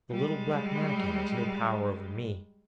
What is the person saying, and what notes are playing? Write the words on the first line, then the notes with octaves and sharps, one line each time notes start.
The little black Mannikin has no power over me.'
G3 G#3